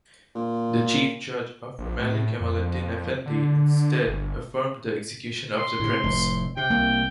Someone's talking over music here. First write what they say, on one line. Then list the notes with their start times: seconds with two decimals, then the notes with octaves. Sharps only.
The Chief Judge of Rumeli Kemaleddin Efendi instead affirmed the execution of the prince.
0.35 A#2
1.79 A#1
1.99 A2
2.40 F2
3.26 D3
4.07 G1
5.59 C6
5.80 A2 C3
6.03 F1 A2
6.57 C3 G5
6.70 C2 A#3